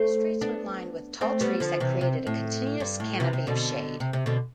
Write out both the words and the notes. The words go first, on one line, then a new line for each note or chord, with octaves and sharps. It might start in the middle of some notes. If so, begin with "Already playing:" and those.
The streets were lined with tall trees that created a continuous canopy of shade.
Already playing: A3 C4
B3 D4
A3 C4
G3 B3
D3 F3
C3 E3
C3
A2
G2
A2
C3 E3
C3
B2 D3
C3
C3
B2 D3